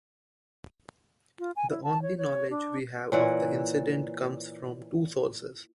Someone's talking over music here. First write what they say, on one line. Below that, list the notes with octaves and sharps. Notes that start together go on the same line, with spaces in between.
The only knowledge we have of the incident comes from two sources.
F4
G#5
E4
A5
C#5
C#5
D4
A#2 E3 C#5 D5 F#5